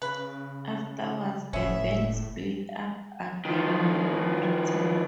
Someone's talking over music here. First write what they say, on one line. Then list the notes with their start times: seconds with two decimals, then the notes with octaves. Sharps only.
Afterwards, the band split up again with no return.
0.02 C#3 B4
1.53 F#1 A2 B3 C#4 E5
3.45 D#3 F3